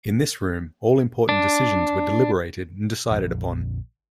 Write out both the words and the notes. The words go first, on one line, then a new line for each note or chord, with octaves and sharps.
In this room, all important decisions were deliberated and decided upon.
D4
A#1 F2 D3